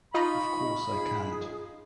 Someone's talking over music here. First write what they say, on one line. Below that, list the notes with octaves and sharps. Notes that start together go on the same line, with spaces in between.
Of course I can't.
D#4 F4 D#5 B5 C#6
G#4